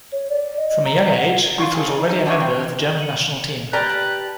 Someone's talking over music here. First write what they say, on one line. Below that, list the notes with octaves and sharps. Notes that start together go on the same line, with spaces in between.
From a young age, Huth was already a member of the German national team.
C#5
D5
D#5
A#5
F#5
F4 C#6
G#4 A4
D#4
D#4
F3 D4 F#4 C#5
C4
C#7 D#7 F#7
G4 B4 D5 A5 A#5 F6 F#6 A6